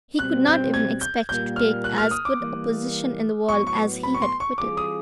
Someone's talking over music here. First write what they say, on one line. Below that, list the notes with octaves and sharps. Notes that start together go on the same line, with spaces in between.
He could not even expect to take as good a position in the world as he had quitted.
B2 G3 C4 F#6
G6
G#6
G6
A#2 G3 A#3 G6
F6
F#6
F6
D#6
D6
E3 G3 A#3
A2 F#3 B3 C#6
C#6
B5
C#6
C6
C#6
E3 G3 C4 F4 G#4 D6
D#6